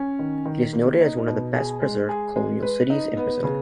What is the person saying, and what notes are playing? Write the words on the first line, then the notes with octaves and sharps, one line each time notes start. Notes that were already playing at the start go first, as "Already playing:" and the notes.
It is noted as one of the best-preserved colonial cities in Brazil.
Already playing: C#4
D#3
D#3
A#3
D#4
B2
G#4
G#3
G#4
G#3
B4
D#4
B3
C#3